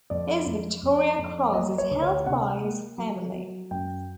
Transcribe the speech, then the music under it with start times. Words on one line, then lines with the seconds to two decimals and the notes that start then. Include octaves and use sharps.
His Victoria Cross is held by his family.
0.10 F2 D5
0.46 F2
0.83 F2
1.18 F2
1.54 A#3 D#5
1.78 C#5
1.91 D2
2.02 C#5
2.26 C3 F#5
2.62 A#3
2.98 F#3
3.34 F#3
3.71 F#2 G5